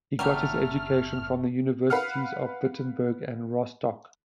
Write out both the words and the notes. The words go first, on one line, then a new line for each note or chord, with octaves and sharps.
He got his education from the Universities of Wittenberg and Rostock.
F#1 F#3 G3 A3 F6
B4 F5 F#5 F6